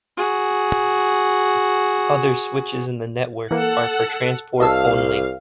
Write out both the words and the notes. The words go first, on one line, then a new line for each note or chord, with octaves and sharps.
Other switches in the network are for transport only.
F#4 G#4
E3 A#3 A4 F#5
C2 D#5 F5 A5 E6